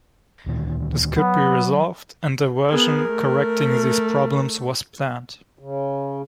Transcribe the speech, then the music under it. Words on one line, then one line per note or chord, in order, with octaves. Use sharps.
This could be resolved, and a version correcting these problems was planned.
D2 A#2 D#3
F#3 B3
B3 G#4 A#4
A3
C#3